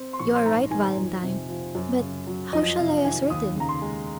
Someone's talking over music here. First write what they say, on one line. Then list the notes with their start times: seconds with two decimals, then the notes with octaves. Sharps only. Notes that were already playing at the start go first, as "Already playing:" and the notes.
"You are right, Valentine; but how shall I ascertain?"
Already playing: C4
0.13 C6
0.19 A#1 C#6
0.35 C6
0.46 G#2 A#5
0.71 D#3 G#5
0.97 F2
1.23 C3
1.49 F3
1.75 F#2
2.01 C#3
2.27 F#3
2.53 F2 D#5
2.78 C3 F5
3.04 D#3 G#5
3.30 D#2 D#6
3.56 C#3 A#5
3.69 C6
3.82 G#3